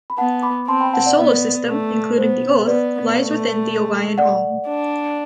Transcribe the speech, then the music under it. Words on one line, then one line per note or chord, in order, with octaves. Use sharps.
The Solar System, including the Earth, lies within the Orion Arm.
B5
B3 F#5 A5
B5 D6
C4 A5 C6
G5 B5
F#5 A5
D5 F#5
B3 B4 D5
A3
B3 C5
B3 B4 D5
A3
D5 F#5
D4